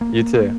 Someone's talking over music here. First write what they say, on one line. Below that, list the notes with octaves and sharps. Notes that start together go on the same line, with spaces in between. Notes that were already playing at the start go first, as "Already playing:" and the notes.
You, too.
A#3